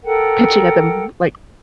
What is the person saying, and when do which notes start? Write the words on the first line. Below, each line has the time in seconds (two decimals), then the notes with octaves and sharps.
pitching at them, like,
0.04 A4 A#4 F#5 G5